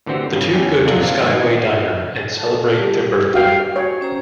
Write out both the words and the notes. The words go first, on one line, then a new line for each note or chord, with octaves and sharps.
The two go to Skyway Diner, and celebrate their birthday.
A2 D3 E3 C4 F#4 G4
G2 C#3
E2 C#4 G5
F2 C3 F#3 D4 F4
A#3 C4 D4 F5
G#2 D#3 G3 G#3 C4
A4 A5
G3 G4 G#4
F#4 F5 G5
C#5
C#4 C5 A#5